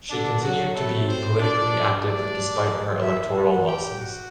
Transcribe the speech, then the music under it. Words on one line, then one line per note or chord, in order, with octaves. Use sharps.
She continued to be politically active despite her electoral losses.
D3 D4
F#3 F#4
C3 F#3 A3 B3 A4
C4 C5
D4 D5
A2 E3 G3 D4 D5
E4 E5
D3 A3 F#4 F#5
G4 G5
F#4 F#5